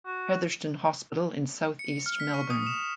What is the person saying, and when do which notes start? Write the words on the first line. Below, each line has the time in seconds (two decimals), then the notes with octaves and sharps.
Heatherton Hospital in south east Melbourne.
0.06 F#4
1.79 C#7
2.06 F6
2.20 B6
2.34 C#6
2.50 D#6
2.67 E7